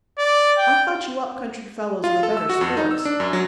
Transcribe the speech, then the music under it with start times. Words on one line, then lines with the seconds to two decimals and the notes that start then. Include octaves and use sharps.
"I thought you up-country fellows were better sports."
0.18 D5
0.58 G5
2.04 F4
2.23 A4
2.37 E6
2.50 F#4
2.61 F2
2.77 D#4
2.91 E6
3.05 D4
3.20 F#2
3.33 F#3